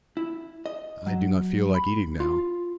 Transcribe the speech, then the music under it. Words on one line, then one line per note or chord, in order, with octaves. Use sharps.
I do not feel like eating now.
E4
D#5
F#3
B5
F4